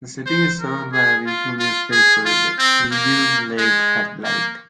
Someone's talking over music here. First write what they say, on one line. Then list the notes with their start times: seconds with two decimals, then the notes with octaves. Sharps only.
The city is served by a weekly newspaper, the "Eagle Lake Headlight".
0.26 C5
0.59 A#4
0.92 G#4
1.26 F4
1.59 F4
1.92 G#4
2.25 F4
2.58 C4
2.91 A#3
3.58 G#3
4.24 A#3